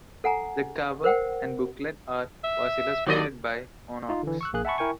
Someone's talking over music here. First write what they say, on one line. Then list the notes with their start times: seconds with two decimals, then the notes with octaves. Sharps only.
The cover and booklet art was illustrated by Monaux.
0.24 A4 F#5 G#5 A#5
1.04 A#4 C5 F#5 G5
2.44 E5
3.06 D#2 F#3 D5 D#5
4.09 D#4 F4
4.23 D3 E3
4.41 C#6 E6 F#6
4.53 A#1 A#3 G#4 F#6
4.65 E5 F#5 G#5 A5 B5 C#6
4.78 E4 A#4 G5 G#5 C#6